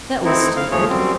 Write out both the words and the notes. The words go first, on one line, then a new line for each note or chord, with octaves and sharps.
'That was stupid.
A3 C4 D#4 E4
F5
D#2 F3 A3 G#4 C#5
F#2 G3 C4